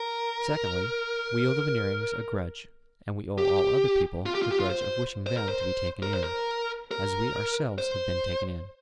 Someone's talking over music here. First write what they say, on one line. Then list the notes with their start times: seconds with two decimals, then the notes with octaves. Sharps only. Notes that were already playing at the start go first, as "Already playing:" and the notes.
Secondly, we owe the Veneerings a grudge, and we owe all other people the grudge of wishing them to be taken in, as we ourselves have been taken in.
Already playing: A#4
3.38 G4
4.26 F4
4.35 G4
4.42 F4
4.52 G4
4.59 F4
4.70 C5
5.26 C5
5.37 A#4
5.49 C5
6.03 A#4
6.14 C5
6.24 A#4
6.91 A#4
7.78 C5